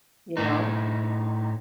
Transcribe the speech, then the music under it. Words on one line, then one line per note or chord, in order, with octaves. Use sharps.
You know?
A2 D#4